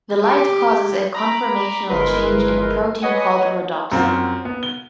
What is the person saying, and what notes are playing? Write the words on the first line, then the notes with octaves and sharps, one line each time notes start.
The light causes a conformational change in a protein called rhodopsin.
G4
A#5 B5 D6
G1 G#3 E4 A#4 B4 C6
B4 C#5 D#5 F#5 G#5
F#2 C4 F4 F#4
B3
G7